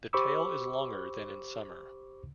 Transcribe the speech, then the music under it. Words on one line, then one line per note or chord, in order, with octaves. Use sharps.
The tail is longer than in summer.
G4 C5 B5 C#6 D6 E6